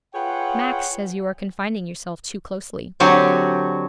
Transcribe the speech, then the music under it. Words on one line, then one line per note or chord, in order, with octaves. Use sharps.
Max says you are confining yourself too closely.
F4 G#4 B4 C#5 F#5 G5
D3 F#3 C4 F#4 G4